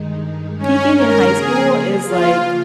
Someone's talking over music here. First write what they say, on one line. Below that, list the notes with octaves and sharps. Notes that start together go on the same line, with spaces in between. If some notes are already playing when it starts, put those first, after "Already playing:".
peaking in high school is, like
Already playing: G2 D#3 G#3 D#4
C#4
A#4
C#3 F3 A#3 G#4
F4